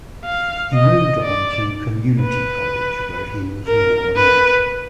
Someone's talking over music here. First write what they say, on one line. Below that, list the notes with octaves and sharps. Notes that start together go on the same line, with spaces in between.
He moved on to community college, where he was an All-American.
F5
D#5
D5
B4
A#4
B4